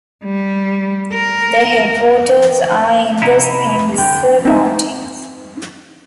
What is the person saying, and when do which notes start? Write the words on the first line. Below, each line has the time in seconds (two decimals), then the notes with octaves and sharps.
The headwaters are in the Spenser Mountains.
0.24 G3
1.13 A#4
3.22 C3 D#4 E4
3.51 B5
3.98 D3 G5
4.45 C4 D#4 E5